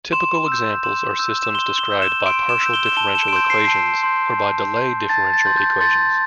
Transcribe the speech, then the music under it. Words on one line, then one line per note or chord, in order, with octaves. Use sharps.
Typical examples are systems described by partial differential equations or by delay differential equations.
C6 E7
E6 G6
C6 E7
E6 G6
E7
C6 G7
G7
E6 G6
E7
C6 D7
E7
E6 G6
G7
E7
A5 G7
E7
D7
C6 G6 E7
C7
D7
A5 C7
C6 G6
A5
C6 G6
A5 A6
A6
C6 G6
G6
C6 A6